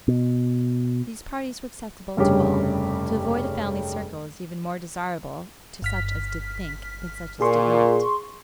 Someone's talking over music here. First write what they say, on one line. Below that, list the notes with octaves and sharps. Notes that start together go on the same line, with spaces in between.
These parties were acceptable to all; to avoid a family circle was even more desirable to such as did think, than such as did not.
B2
F1 G2 C#3 C#4 G4
G1 F6 B6
A#2 G#4 C6 C#6